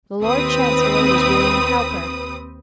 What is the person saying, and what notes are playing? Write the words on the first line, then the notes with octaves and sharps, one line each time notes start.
The Lord Chancellor was William Cowper.
D#2 C4 B4 D#6